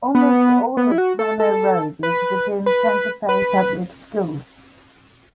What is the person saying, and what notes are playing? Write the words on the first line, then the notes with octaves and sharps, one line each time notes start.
Almost all of Tano Road is within Santa Fe Public Schools.
B3
B3
E4
F#4
A4
A4
B4
B4
B4